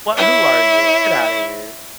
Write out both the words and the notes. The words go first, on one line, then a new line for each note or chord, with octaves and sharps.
What who are you? Get out of here."
E4 C#5